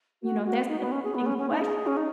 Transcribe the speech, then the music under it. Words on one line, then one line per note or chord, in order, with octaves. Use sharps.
You know, that's the big question.
F#4
F#4
D#4
B3
C#4
G#4
B3
C#4
C#4
D#4
G#4
C#4
D#4